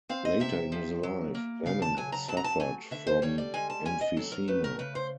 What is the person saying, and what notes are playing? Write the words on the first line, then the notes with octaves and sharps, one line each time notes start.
Later in his life, Bannon suffered from emphysema.
C4 F5
D#5
C3 E5
F3
F#3
A#3
C#3 F5
A5
F#3 G#5
A#5
F#3 A5
A#5
A5
A3 G#5
D3 E5
C5
G3 C#5
D5
G#3 G#5
A5
C#4 G#5
D#5
F#3 A4
A#4
A3 B4
A#4
C#3 B4
C5